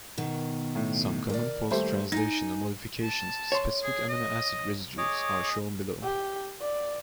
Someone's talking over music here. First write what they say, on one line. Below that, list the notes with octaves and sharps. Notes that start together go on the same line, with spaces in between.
Some common post-translational modifications to specific amino-acid residues are shown below.
B2 D#3
A2
A#4 D5
D#2 G3 A3 C5
D#4 G#5 A#6
A5
C#5 C6
G#4
D#5
G#4 C#5 D#5 D6
G4
D5